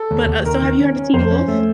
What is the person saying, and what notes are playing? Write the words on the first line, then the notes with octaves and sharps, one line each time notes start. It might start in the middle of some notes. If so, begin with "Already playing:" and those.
But, uh, so have you heard of Teen Wolf?
Already playing: A4
D#2
D#2
D#3 A#4
D#3
C#4
C#4
F2 C5
C#4
A3